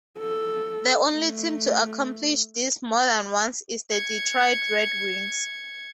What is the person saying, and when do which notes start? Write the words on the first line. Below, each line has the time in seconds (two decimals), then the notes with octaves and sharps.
The only team to accomplish this more than once is the Detroit Red Wings.
0.19 A4
1.14 A3
3.90 G#6 C#7